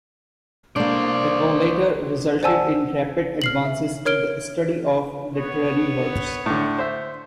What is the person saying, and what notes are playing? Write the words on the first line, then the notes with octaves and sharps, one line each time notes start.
The collator resulted in rapid advances in the study of literary works.
A#3 D4 C5 D5
C5 D5 F#5 G#5 A5 E6
F6 C7 F#7
E5
A#4 C#5 F6 D7 G7
B3 C#5
A2 D3
C5 E5